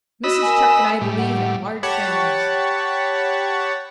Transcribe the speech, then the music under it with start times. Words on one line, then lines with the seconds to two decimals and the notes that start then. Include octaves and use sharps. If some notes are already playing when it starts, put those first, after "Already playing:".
"Mrs. Chuck and I believe in large families."
0.24 F#4 D#5 B5 E6
0.43 A#4 G#5
1.01 A2 G3
1.18 F#5
1.83 G4 C#5 F#5 A5 B5 C#6